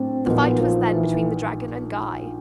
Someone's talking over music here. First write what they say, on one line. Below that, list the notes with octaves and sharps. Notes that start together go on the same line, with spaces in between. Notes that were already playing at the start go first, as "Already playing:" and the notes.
The fight was then between the dragon and Guy.
Already playing: A2 F#3 C4 D4
A#1 A#2 F#3 A#3 B3 D#4
F3
E3